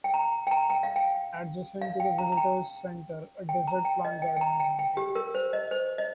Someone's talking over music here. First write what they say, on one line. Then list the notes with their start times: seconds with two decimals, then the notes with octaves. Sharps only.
Adjacent to the Visitor's Center, a desert plant garden is maintained.
0.04 G5
0.14 A#5
0.47 G5
0.51 A#5
0.70 G5
0.83 F5
0.96 G5
1.81 F5
2.00 G5
2.18 A#5
2.32 A#5
2.37 G5
3.49 G5
3.68 A#5
3.85 G5
4.05 D#5
4.22 G5
4.36 G5
4.41 A#5
4.60 G5
4.79 G5
4.97 G4
5.15 A#4
5.35 C5
5.53 D#5
5.71 C5
5.98 D#5